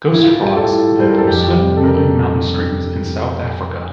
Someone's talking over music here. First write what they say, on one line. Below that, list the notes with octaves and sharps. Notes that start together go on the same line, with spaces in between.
Ghost frogs live in swift-moving mountain streams in South Africa.
A2 E4
F4
E4
G3 G4
A4
A2
G3 C5
A#4
A4
F2 G4
C3 G3
A4
A#4